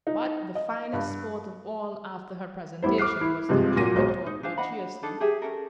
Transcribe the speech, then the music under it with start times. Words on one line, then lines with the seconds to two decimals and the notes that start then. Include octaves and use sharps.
But the finest sport of all after her presentation was to hear her talk virtuously.
0.07 D#4
0.55 D#5
0.93 G2
2.83 G3 B3 E4 C5
2.98 D6 F6 F#6 C7
3.21 E4
3.49 G2 C3 F3 G#3
3.76 A#2 F#3 A#3 A#6 D#7
3.95 B1 G#3 C5 C#5
4.26 D#4
4.43 D4 C5 F5 G#5
4.58 D4 D#5 F#5 B5
5.03 D4 D#4 A4
5.20 G4 G#4 E5
5.42 C#4 D4 A4 A#4